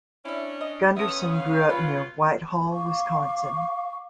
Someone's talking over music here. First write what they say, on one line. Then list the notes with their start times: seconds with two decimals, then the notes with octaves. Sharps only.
Gunderson grew up near Whitehall, Wisconsin.
0.25 C#4 D4 E4 E5
0.61 D#5
0.96 E2 B3 C#4 A4 E5 D#6
1.32 F5
1.69 F#3 B3 C#4 F4 B4
2.71 F5 C#6 D6